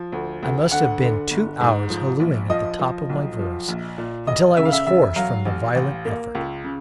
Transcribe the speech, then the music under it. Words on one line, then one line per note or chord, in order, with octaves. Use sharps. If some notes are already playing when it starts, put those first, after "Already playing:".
I must have been two hours hallooing at the top of my voice, until I was hoarse from the violent effort.
Already playing: F3
D2
D2
D3 F#5
D3
G1
G#2
F3
A#1
F3 D#5
F3
B1
F3
A#1
A#2
E1 D#5
C#3 E5
F5
E5
E1 E5
F#3 F5
A1
A1
A#3
C#2
C#3